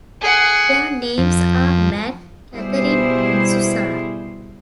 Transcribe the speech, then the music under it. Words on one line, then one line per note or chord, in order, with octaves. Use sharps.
Their names are Matt, Katherine and Susan.
G#4 F#5
F2
B2 G3 E4 G#4 C5